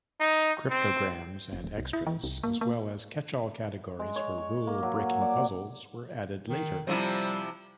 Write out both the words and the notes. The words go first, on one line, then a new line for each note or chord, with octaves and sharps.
Cryptograms and extras, as well as catchall categories for rule-breaking puzzles, were added later.
D#4
C4
F#1
D#1
C2
E4
E3
C2
A#3
A#3
G#3
C#5
C#6
A#3
F#3
D5
D#3
C3 F3 G3 E4